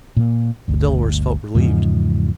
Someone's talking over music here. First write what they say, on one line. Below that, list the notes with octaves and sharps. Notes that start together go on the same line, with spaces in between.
The Delawares felt relieved.
A#2 A#3
G1 D2
E2 G#2 C#3 F3